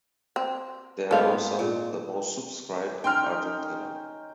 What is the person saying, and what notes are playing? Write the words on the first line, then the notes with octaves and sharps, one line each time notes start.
They are also the most subscribed in Argentina.
C4
G#2 B3 C4 A4 F5
A#2
C#4 D#4 G5 C6 F6